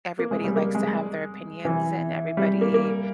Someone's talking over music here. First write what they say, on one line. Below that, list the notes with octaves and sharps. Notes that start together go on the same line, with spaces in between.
everybody likes to have their opinions, and everybody,
A#3
G#3
G3
A#3
G#3
E3
G3
A#3
A#3